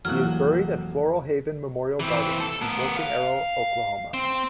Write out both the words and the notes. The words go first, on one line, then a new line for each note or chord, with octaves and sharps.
He is buried at Floral Haven Memorial Gardens in Broken Arrow, Oklahoma.
F1 E3 F#3 A#3 F6 F#6
E3 C4
A4
B3 A#4
F5
C4